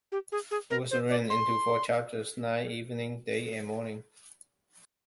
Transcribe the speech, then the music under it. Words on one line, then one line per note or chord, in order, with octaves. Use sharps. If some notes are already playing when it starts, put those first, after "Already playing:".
It was written into four chapters: Night, Evening, Day and Morning.
G4
G#4
G#4
A#4
C5
D5
C6